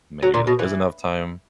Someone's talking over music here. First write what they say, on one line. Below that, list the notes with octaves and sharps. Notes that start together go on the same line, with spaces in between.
Maybe that is enough time."
F#3
A#2
B2
E3